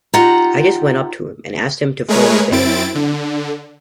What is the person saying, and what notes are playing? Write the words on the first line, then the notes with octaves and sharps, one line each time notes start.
I just went up to him and asked him to form a band.
D#4 F4 G4 F#5 A#5
G#3 A3 G#4 A#4 B4 C#5
F#2 C4 E4 A6 D7
D3